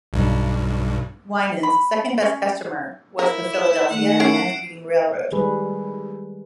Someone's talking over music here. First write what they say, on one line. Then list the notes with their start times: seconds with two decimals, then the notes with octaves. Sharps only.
Winans' second best customer was the Philadelphia and Reading Railroad.
0.13 B1 G2
1.63 B5
2.22 C#4
3.19 E4 A#4
3.54 E7
3.90 D#3 A3 F#5
4.20 C#4 E4 C#5 C7 D7
5.32 D#3 G3 G#3 G#4 B4